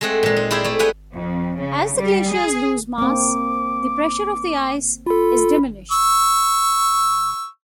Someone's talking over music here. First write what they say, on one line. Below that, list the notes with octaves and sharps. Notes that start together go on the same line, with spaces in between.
As the glaciers lose mass, the pressure of the ice is diminished.
G#3 A3 C4 G#4 F#5
A#2 G#3
D#4
E4 G4 G#4 C5 D5 E5
A3 D5
G4 G#4 B4 F#5 G#5
F2
C#3
G3
G#4
A#3 C4 D6
F4 A4 B5
C#6 E6